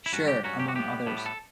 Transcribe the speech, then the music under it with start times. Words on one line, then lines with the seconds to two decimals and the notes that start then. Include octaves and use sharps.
Sure!, among others.
0.06 E4
0.12 G2 F#3 C#4 F#4
0.28 G4
0.44 G2 F#3 C#4 F#4
0.60 G4
0.68 F#4
0.74 A2 G3 B3 G4
1.06 A2 G3 B3
1.26 A4